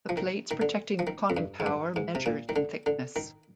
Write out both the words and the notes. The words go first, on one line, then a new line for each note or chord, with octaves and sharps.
The plates protecting the conning tower measured in thickness.
F3
D#3
D#3
D3
F3
D#3
F2
G2
G#2
G2
G#2
C3
A#2
D#3
D3
D3
D#3